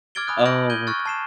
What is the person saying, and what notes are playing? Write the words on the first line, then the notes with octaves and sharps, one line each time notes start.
Oh we're g
D6 F6 G#6 A6 D7 G7
G#5 B5 D#6 F#6
F6 G6 A#6 D7 F#7
G6 G#6 D#7 G7
C#6 F6 F#6 A6
A5 C7 E7